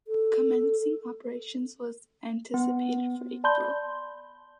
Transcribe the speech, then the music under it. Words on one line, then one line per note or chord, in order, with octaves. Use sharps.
Commencing operations was anticipated for April.
A4
B3
D5 A5 B5 C6 G6 G7